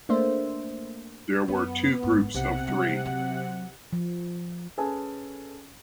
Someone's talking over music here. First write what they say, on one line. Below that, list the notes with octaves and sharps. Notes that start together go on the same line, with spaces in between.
There were two groups of three.
A3 A#3 D4 C5 E5
F#2 B3
G#1 F#2
B1 C3 F#5
G3
F#3
F3
C#4 G#4 A4 B4 G#5 A5